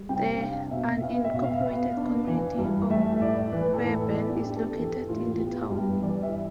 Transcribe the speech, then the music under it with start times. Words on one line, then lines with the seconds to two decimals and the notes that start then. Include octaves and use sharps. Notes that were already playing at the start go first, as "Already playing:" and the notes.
The unincorporated community of Fairburn is located in the town.
Already playing: G3
0.09 C3 G5
0.40 D4 F5
0.71 B2 E5
1.02 B3 F5
1.24 E5
1.34 B2
1.44 F5
1.65 B3
1.97 D4
2.27 E3
2.58 G2
2.90 A3 E5
3.21 A2 D5
3.52 E3 B4
3.74 A4
3.84 A2
4.14 B3 D5
4.35 G4
4.45 D4
4.56 A4
4.77 E3 G4
5.08 A2 F4
5.39 B3 G4
5.70 G2 G4
6.01 E3 D5
6.23 E5